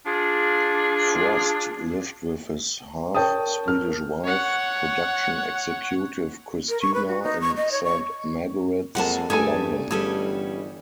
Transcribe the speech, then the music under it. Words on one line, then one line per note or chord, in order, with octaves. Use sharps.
Frost lived with his half-Swedish wife, production executive Christina, in Saint Margarets, London.
D4 F4 G#4
A#4 C#5 G5 A5 D#6
A#4 F6
C#5 F#5
A#4
C#6
B4
F#4
D#4
C#6
D#5
C#5
C#6
F2 F3 G#3 A#3 F#5 A5
G2 A3 G#4 A4 G#5
G1 E3 G3 C#4 G#4 A4